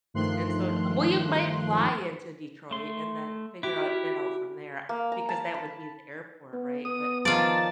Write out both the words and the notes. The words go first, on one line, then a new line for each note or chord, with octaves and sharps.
And so um, well, you've might fly into Detroit and then figure out it out from there because that would be the airport, right? But
G2 D#3 F3 A3 C6 F#6
A3 C6
E4 F#4 G4
A#3
A#5
A5
B5
B3
B3 D#6
D#3 F3 F4 D5 A5